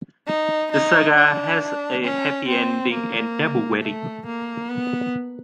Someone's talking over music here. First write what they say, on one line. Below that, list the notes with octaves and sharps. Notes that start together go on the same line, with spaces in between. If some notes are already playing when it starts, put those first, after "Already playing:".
The saga has a happy ending and double wedding.
D#4
D#4
D4
C#4
C4
A#3
A3
A#3
B3